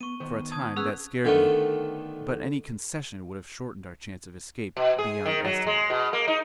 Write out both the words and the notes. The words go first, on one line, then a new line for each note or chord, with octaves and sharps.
For a time that scared me; but any concession would have shortened our chance of escape beyond estimating.
B3 C#6 D#7
D#3 B3 C5
A5 D#6 G#6
B3 C#4 G#4 B4 F#5 E6 F#6
D3 D#3 A3 B3
B2
G#4
D#3
F#3
G#3
B2
A#3
D#4